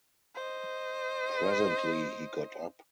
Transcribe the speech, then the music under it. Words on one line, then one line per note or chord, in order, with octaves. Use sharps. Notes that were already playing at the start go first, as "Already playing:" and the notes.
Presently he got up.
C5 D#5